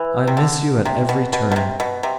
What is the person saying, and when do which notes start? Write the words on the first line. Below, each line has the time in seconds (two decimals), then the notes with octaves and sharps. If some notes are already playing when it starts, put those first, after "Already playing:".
'I miss you at every turn.
Already playing: E3
0.27 C3
0.37 D3
0.85 C3
1.09 B2
1.33 B2
1.52 B2
1.56 C3
1.80 B2
2.03 C3